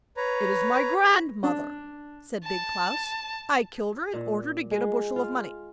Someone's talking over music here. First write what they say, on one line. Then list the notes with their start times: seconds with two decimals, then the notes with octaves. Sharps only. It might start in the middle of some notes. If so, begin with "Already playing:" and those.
'It is my grandmother,' said Big Klaus. 'I killed her in order to get a bushel of money.'
0.17 B4 C#5 A#5
1.44 D4
2.45 A5
4.14 A#2
4.71 G#3
5.16 F4